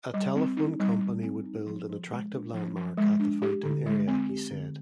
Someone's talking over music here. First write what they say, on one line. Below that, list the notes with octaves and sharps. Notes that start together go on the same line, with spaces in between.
A telephone company would build "an attractive landmark" at the fountain area, he said.
G3
C4
D#4
G3
G3
C4
D#4
F3
F3
G#3
D4
F3
F3
G#3
D4
G4
D3
G#3
C4
G4
D3